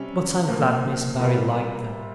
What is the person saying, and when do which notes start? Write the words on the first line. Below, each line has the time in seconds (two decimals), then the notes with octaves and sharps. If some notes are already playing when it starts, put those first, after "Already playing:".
But I'm glad Miss Barry liked them.
Already playing: C3 G3 C#4
0.47 A#2 F3 A#3
1.20 C3 G3 A#3 F4